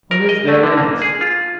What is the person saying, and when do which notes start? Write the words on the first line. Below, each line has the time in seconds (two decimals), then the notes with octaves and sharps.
What is there in it?
0.11 A#4
0.29 D#5
0.48 A3
0.63 D3
0.77 A#3
1.02 G#4
1.21 F4